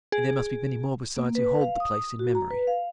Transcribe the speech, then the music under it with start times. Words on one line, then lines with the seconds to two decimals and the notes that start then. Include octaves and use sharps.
And there must be many more besides who hold the place in memory.
0.12 G#4
1.17 A#3
1.35 B4
1.61 F5
1.80 D#6
2.19 F#4
2.35 A#5
2.51 B4
2.67 F5